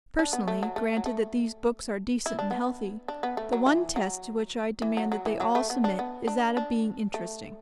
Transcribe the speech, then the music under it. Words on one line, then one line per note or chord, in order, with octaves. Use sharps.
Personally, granted that these books are decent and healthy, the one test to which I demand that they all submit is that of being interesting.
D4
B3
A3
F#3
A3
F#3
A3
E4
D4
B3
D4
B3
A3
F#3
E3
F#3
E3
F#3
F#3
E3
F#3
A3
B3
D4
B3
D4
D4
A3